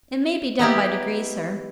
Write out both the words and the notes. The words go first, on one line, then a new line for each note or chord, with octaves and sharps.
'It may be done by degrees, Sir.
B3 D#4 E4 G4